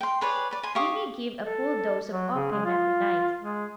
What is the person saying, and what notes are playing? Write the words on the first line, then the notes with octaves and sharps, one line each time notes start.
We may give a full dose of opium every night.
G5 C6
G#4 B4 C#5 D5
B4 D5
G#5 C6
G4 F5 C#6 D#6
A4
F#3
C#3
G#3
F4
G#3